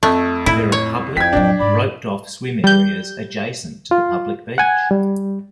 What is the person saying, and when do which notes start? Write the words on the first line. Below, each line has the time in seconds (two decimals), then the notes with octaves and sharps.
There are public, roped off swim areas adjacent to the public beach.
0.03 F2 A3
0.46 A2 E4
0.72 C#5
1.17 F2 E4 G5 G#6 B6
1.33 A2 F#3 D4
1.60 G#2 D5 B5
2.64 G3 G6
3.91 F4
4.58 F#5 G#5 G#6
4.91 G3